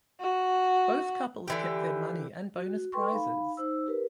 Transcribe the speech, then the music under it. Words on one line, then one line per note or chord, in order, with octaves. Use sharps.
Both couples kept their money and bonus prizes.
F#4
D3 E3 G4
F#4
A4 B4 G5 C6 C#6
D#4 F5 B5
D#4 C5 E6
G4 A#4 B4